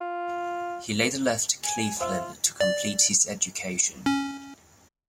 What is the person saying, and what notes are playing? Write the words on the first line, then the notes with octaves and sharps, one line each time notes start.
He later left Cleveland to complete his education.
F4
G#5
F4 C5 E5 F5 E6
D5
C#4